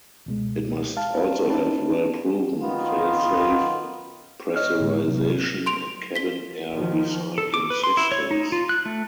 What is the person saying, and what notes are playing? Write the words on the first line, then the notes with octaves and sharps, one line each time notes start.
It must also have well-proven, fail-safe pressurization and cabin air re-cycling systems.
C#2 B2 G#3
F5 A5
C4 C#4 D#4 E4 B4 A5
D#3 B3 F4
C#5 D#5 F6
A2 D3 G#3
C3 F#3
C6 D7 F7
B6 G7
D#3 F3
A4
D6
B4
C6
E4
C#5
D#4
F4
F#6
A3